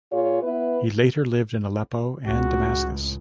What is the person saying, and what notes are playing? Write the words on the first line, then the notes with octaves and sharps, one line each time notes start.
He later lived in Aleppo and Damascus.
A#2 F4 G#4 C#5
B3 E4 B4
C#2 A2 F#4